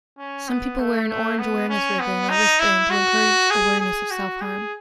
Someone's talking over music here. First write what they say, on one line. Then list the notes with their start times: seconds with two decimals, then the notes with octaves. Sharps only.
Some people wear an orange awareness ribbon or wristband to encourage awareness of self-harm.
0.18 C#4
0.48 B3
0.79 A3
1.08 A3
1.39 B3
1.69 C#4
1.99 B3
2.29 D#4
2.60 E4
2.90 F#4
3.50 G#4
3.81 G#4
4.11 F#4
4.41 G#4